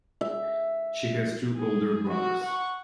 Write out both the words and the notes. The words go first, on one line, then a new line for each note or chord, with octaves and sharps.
She has two older brothers.
E5
G#4
F#4
F#5 C#6